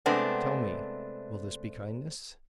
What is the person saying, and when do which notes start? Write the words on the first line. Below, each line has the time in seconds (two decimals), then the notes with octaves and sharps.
Tell me, will this be kindness?
0.06 C3 G#3 A3 B3 C4 D4